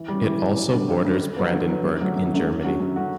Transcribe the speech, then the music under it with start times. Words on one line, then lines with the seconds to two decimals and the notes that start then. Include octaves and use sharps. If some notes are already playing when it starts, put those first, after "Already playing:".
It also borders Brandenburg in Germany.
Already playing: E3
0.08 G3 C#4
0.24 E3
0.40 G3 C#4
0.57 F#2
0.72 D3 G3 D4
0.88 F#2
1.04 D3 G3 D4
1.20 D3
1.36 F#3 B3
1.52 D3
1.69 F#3 B3
1.84 F#2
2.01 D3 F#3 A3 D4
2.16 F#2
2.32 D3 F#3 A3 D4
2.48 F#2
2.64 D3 F#3 C#4 F#4
2.80 F#2
2.96 D3 F#3 C#4 F#4